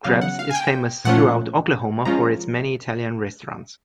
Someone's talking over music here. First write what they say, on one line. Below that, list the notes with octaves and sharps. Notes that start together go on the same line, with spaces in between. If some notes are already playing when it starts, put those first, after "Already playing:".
Krebs is famous throughout Oklahoma for its many Italian restaurants.
C#3 F#3 B3 F5
F#5
F5
G#5
G5
A#2 F3 A3 C#4 F4 F#5
F3 G#3 C#4 F4 A#5